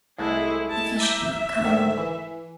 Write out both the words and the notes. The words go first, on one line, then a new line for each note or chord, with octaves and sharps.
If he should not come!
C2 G#3 A3 E4 G#4
E4 A5
E5 A#5 D6 G6
G#2 D3 D#3
E3